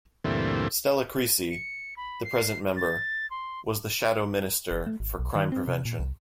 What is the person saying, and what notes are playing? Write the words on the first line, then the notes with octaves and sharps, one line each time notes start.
Stella Creasy, the present member, was the Shadow Minister for Crime Prevention.
D2 G2 A#2 E3 A3 C4
C#7
B5
C7
A6
C6
F#1
A3
G#1
B1
D#3
C4
C3
A#2
C2